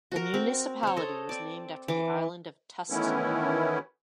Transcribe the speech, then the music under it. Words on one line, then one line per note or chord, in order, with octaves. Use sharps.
The municipality was named after the island of Tustna.
F#4 A#4
C4
C5 C#5
A4 D#5
C4 D5
E3 D6
D#3 E3 A3 B3 C#4 E4